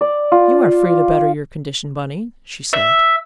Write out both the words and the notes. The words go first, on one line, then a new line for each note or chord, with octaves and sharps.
"You are free to better your condition, Bunny," she said.
D5
F4
E5